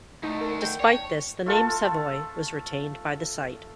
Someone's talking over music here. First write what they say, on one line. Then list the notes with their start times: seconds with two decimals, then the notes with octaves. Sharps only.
Despite this, the name Savoy was retained by the site.
0.23 D2 A3 D#4
0.41 A#4
0.62 G5
0.80 C#5 D5 A5
1.46 A3 F4 A4 A5